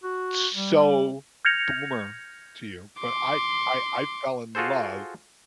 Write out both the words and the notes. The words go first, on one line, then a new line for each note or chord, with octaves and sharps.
so boomer to you, but I I I fell in love
F#4
G3
F6 G6 G#6 A#6 C#7 F7
C6 D6
F4 F#4 G#4 A4 C5